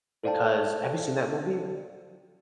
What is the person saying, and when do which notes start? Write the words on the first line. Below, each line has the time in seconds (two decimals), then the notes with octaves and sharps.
because have you seen that movie?
0.24 A4 C5 D5 F5 G5 A5